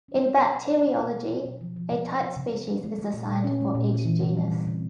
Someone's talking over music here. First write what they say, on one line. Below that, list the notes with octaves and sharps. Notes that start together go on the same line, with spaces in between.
In bacteriology, a type species is assigned for each genus.
C#4
F#3
B2
F#3
F#3
F#3
B2
F#3
F#3
B2
F3
F3
C3
C3
C3
C3
C3
G#3
A3
A3
A#2
A#2
C#4
A3
A#2
C#4
E3
C3
G3
C3
C3